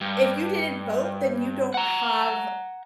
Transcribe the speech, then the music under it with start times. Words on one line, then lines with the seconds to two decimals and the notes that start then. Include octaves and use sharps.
If you didn't vote, then you don't have"
0.01 G2
1.74 F#5 A#5